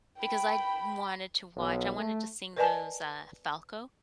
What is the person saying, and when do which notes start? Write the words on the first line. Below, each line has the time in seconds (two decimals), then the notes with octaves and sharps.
because I'd wanted to watch, I wanted to sing those, uh, Falco
0.20 G5 B5
1.56 B1
1.98 A3
2.56 A#4 B4 D5 D#5 G#5 A5